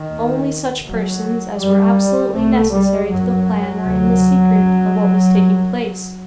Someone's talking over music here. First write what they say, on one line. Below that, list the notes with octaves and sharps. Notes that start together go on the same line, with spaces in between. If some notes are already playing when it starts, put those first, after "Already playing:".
Only such persons as were absolutely necessary to the plan were in the secret of what was taking place.
Already playing: D#3
D#2
D#2 F#3
F#2 G3
C2 C3 A3
G3
F#2 F#3
D2 C3
F#2
F#2